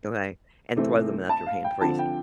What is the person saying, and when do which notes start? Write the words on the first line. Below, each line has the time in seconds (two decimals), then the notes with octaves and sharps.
Okay? And throw them without your hand freezing.
0.76 C3 E3 A3 C4
1.29 A5
1.46 F5
1.64 G5
1.81 D3 F3 C4 A5
1.99 G5